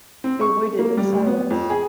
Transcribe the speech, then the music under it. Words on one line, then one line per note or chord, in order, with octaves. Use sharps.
They waited in silence.
C4
C#6
A#3
G3
D2
B3
F2
G#4